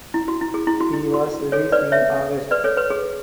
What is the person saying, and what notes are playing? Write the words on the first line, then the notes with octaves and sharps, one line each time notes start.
He was released in August.
E4
F#4
E4
G#4
E4
F#4
E4
F#4
A4 C#5
B4 D5
C#5 E5
B4 D5
A4 C#5
B4
G#4